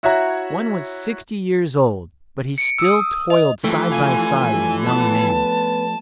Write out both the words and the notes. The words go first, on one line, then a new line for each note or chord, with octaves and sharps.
One was sixty years old, but he still toiled side by side with young men.
E4 F#4 C#5 E5 F#5 A#5
C#7 D7
D#6 E6
D#5
E3 F3 A3 G5
F5 G#5
B3 A5